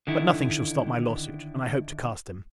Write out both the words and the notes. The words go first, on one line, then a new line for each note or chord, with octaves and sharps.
But nothing shall stop my law-suit, and I hope to cast him.
D3 D#3 E4